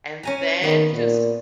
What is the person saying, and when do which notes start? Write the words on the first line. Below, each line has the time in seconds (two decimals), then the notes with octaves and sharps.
And then just
0.23 C#4 G#5 A#5
0.63 D#3 B3
0.94 A#2